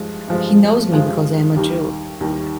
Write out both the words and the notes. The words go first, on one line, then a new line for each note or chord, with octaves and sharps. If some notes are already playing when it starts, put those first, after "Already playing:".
He knows me because I am a Jew.
Already playing: G2 F3 G#3
G2 F3 G#3
G2 F3 G#3
D#2 D#3 G3
D#2 D#3 G3